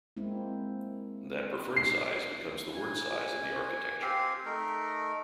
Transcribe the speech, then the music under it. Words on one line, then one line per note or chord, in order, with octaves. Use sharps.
That preferred size becomes the word size of the architecture.
G#3 A#3 C4 E4
C7
G#5
C4 G4 F5
A3 D#4 A#4